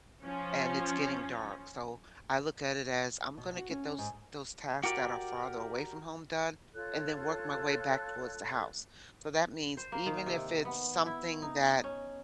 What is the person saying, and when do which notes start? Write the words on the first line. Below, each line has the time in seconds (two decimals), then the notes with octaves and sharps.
and it's getting dark, so, I look at it as I'm gonna get those those tasks that are farther away from home done and then work my way back towards the house. So that means even if it's something that
0.24 F3 C#4
3.38 B2
3.57 F#4
3.70 C#4
3.98 G#2
4.84 F#4 G4 A#4 D5
6.74 F4 A4 C#5 F#6
9.77 C5
9.92 A#3
10.06 D#3
10.26 C3
10.65 B3
11.06 E4
11.42 D#4
11.84 C#4